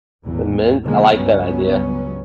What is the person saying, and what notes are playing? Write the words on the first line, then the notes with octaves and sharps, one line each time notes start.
The Mint, I like that idea.
G#1 E2 A2
B2 D3 D#3 F3 G#3 A#3
C#2 G2 C#3 F#3 B3 C#4